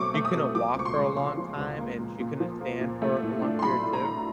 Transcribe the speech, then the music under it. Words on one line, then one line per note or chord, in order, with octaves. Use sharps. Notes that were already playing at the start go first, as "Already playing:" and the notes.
she couldn't walk for a long time, and she couldn't stand for a long period too,
Already playing: B2 F#3 A3 C4 C#6 D6
A3
D#6
B2
F3 D6
C#2 C#6
C6
G#3
C#3 C6
F3
C#2
A#3
A#2
A#2
F3
A#3
A#2
A3
A2
D4
C6
F#3 B5
A3
A#5
A2